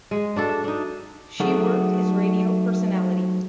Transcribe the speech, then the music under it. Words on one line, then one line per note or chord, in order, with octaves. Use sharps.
She worked as radio personality.
G#3
D4 F#4 A4
E5
D4 D#4
F#3 A3 D#4 F#4 G#4 A4